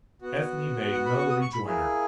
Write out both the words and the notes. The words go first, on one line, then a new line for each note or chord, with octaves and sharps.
Ethne made no rejoinder.
B3 F#4
F#5
B5
C#6
D#6
C#6
B5
A#3 E4 G#4